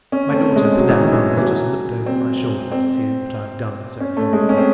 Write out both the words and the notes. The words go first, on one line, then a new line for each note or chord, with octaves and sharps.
My daughter Penelope has just looked over my shoulder to see what I have done so far.
C#4
A3
C4
G#3
F#3
E3
D#3
E3
E3
F#3
C4
C4
C#4
A3
G#3
C#4
C4